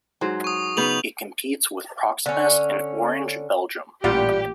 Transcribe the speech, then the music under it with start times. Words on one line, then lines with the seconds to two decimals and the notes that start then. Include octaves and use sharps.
It competes with Proximus and Orange Belgium.
0.21 G#2 F#3 C5
0.44 C#6 D#6
0.77 C#3 B3 D#4 G6 F7 F#7
2.26 D3 C#4
4.04 A1 A#2 G3 F4 G4 F#5